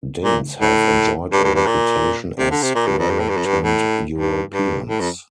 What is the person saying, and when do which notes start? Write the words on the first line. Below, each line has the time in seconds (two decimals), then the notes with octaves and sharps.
Danes have enjoyed a reputation as "reluctant" Europeans.
0.24 A#2
0.60 A2
1.32 G2
1.44 G2
1.55 G2
1.67 A#2
2.38 C3
2.51 D3
2.62 C3
2.75 A#2
2.86 G2
2.99 F2
3.10 G2
3.19 A2
3.29 G2
3.37 F2
3.45 G2
3.64 A2
4.18 G2
4.54 G2
4.89 A2
5.00 F2